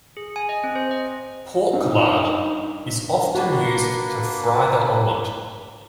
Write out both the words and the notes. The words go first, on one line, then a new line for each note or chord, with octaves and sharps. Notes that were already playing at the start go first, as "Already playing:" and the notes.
Pork lard is often used to fry the omelette.
G#4
G#5
D#5
C4
C5
D#5
G2 D#4
A#3 D4 F#4 B4